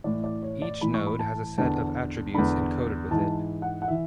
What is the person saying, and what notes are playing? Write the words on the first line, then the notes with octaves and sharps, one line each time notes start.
Each node has a set of attributes encoded with it.
A2 E3 D5
D5
C#5
D5
A2 E3 B5
C#6
B5
A5
E2 D3 A5
E2 D3 B5
G#2 E3 A5
F#5
F#5
E3 E5